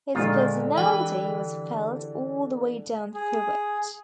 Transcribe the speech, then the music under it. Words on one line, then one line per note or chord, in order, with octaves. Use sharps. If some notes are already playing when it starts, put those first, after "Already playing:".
His personality was felt all the way down through it.
A#2 D3 D#3 G#3 F4
E3 G3 B4 G5
G#4